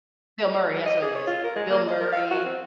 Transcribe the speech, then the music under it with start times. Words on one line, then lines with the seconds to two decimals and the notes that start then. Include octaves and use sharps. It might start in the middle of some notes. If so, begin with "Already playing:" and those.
Bill Murray, that's what it is. Bill Murray
0.86 D#5
1.02 G#4
1.15 C#5
1.27 F4
1.44 A#4
1.56 G#3
1.70 A#3
1.87 D#5
2.00 A#4
2.12 F5
2.30 F#4
2.45 C4